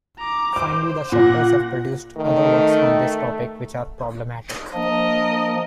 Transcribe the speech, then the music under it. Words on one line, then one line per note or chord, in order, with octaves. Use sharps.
Finally, the Schecters have produced other works on this topic which are problematic.
A#5 D6
C5 D6
A#2 F#5 A#6
D#3 A3
F3 A#3 D4 A#4 D#5